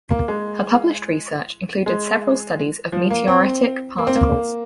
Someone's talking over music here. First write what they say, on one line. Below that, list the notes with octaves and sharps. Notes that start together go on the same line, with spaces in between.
Her published research included several studies of meteoritic particles.
A#3
G#3
G#3
F3
A#3
C4
A#3
C4
A#3